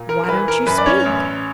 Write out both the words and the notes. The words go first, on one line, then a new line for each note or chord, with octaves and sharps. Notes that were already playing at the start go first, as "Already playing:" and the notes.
Why don't you speak?
Already playing: A#2
A#4
A#4
E3 B4
A#4
F#2 B4
D5
C#4 C#5
A1